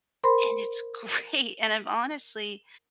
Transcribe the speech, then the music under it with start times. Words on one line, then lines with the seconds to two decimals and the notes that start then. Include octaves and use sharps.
and it's great, and I'm honestly
0.24 A#4 C5 B5 C6